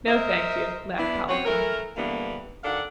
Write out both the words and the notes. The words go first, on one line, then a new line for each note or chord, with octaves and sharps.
"No, thank you," laughed Polychrome.
A#4 C5 D#5 E5
B3 D4 E4
C4 C#4 F#4 C#5
E3 A3 A#4
D3 E3 G3 A#3 B3
D#3 D4 A4 F5 F#5